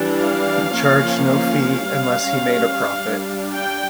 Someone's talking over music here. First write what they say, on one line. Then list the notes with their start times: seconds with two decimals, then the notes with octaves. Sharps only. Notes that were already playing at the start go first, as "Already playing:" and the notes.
He charged no fee unless he made a profit.
Already playing: E3 G3 D4
0.18 F5
0.73 F3 A#3 C#4
1.29 F5
1.86 G3 C#4
2.98 G3 D4
3.53 G5